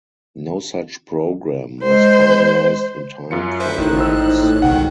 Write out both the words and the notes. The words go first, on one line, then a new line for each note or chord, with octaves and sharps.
No such program was finalized in time for the race.
G#3 C5
F#2 F4 C#7
B4 C5 E5
A1 A2 D#3 D#4 F#6
G#1 C5 E6
A2
C#2 G#2 B2 D#3 F#5 G5